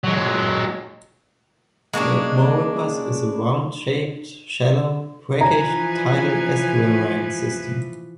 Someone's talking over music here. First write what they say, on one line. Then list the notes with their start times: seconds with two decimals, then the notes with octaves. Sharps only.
Lake Maurepas is a round-shaped, shallow, brackish tidal estuarine system.
0.04 F#3 G#3
1.93 G#3 A#3 C#4 D4
5.41 E3 F3 B4 G#5 A#5